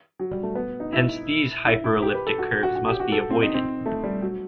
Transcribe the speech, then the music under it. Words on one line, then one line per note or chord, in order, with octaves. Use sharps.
Hence these hyperelliptic curves must be avoided.
F#3
G3
A3
B3
D#4
E4
E4
E4
G4
B4
A4
F#4
F#4
F#4
G4
F#4
A4
C4
D#4
C4
A3
G3
F#3